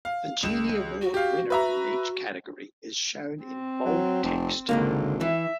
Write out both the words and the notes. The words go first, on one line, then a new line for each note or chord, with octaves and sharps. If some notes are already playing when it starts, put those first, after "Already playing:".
The Genie Award winner in each category is shown in bold text.
F5
C#2 E7
F#4
G4 F5
B4 E5 A#5
C4
F#3
F1
G#1 C#2 D3 A#3
E3 E5